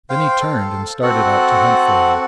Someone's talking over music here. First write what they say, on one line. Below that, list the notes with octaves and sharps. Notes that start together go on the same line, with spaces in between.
Then he turned and started out to hunt for him.
C5 F5 G5
A4
C4 F#4 A4 F#5